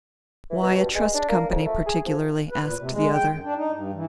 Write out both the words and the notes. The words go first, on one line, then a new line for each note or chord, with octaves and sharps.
"Why a trust company particularly?" asked the other.
E3
B2
G2
G#3
D4
A#3
F2
A3
G#4
F3
B4
A#2
C3
G#3
G5
F#2
D4
D#4
G2
E3